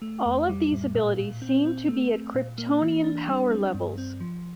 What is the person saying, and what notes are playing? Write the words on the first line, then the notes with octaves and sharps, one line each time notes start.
All of these abilities seem to be at Kryptonian power levels.
A3
F2
G3
A2
A#2
A#2
C4
C4
A3
A3
A#2
A#3
E3
D4
G3
C4
G2
C4
F3